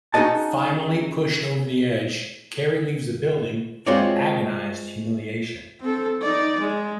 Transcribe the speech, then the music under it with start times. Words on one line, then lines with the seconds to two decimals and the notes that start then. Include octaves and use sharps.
Finally pushed over the edge, Carrie leaves the building in agonized humiliation.
0.14 C#4 D#4 F#4 G#4 D#5 A5
3.86 G#3 C4 F4 F#4 C#5 D5
5.80 C4 A4
6.21 D#4 D5
6.60 G#3